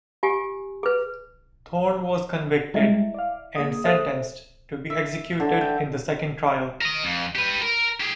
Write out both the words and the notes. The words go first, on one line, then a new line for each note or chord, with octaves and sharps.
Thorne was convicted and sentenced to be executed in the second trial.
F4 G4 G#5
G#4 B4
G3 G#3 E4 D#5 E5
D5 F5
A#3 G#4 D#6
A4 C5 E5
E5
D3
G5
A#4 D#5
F2
G4 B4
A#4
G4 G#4